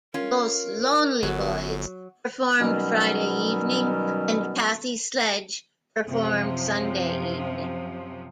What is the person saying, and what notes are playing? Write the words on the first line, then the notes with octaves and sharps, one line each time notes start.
Los Lonely Boys performed Friday evening and Kathy Sledge performed Sunday evening.
C#4 F4 A#4
G1 F#3
B2 D#3 F#3 G3 B3 C#4
F#2 C3 F3